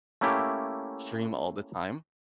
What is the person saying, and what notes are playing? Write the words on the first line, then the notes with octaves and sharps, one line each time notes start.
stream all the time,
A3 A#3 C#4 E4 G4